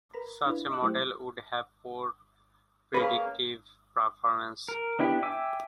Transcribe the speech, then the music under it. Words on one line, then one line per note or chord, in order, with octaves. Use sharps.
Such a model would have poor predictive performance.
A#4 B4 A#5 B5
D4 E4 F4 B4
D#5 E5 C#6 D6 E6 F#6
F#3 A3 E4 G4 C5
A#3 C#4 G#4 B4 F5
A#4
B3 D4 E4 G4
E5 G5 G#5 D6 E6